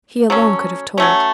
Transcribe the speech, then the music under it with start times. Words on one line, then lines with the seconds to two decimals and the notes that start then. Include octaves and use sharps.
He alone could have told.
0.30 F#3 A3 C#4
0.98 F#3 A3 C#4